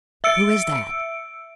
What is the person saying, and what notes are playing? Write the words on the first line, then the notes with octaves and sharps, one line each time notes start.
"Who is that?"
E5 E6 C#7 D7